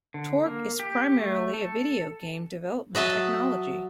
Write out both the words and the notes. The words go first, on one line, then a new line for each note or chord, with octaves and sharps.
Torque is primarily a video game development technology.
D3
A#3
G4
A3
A4
F#3 D#5 E5 A5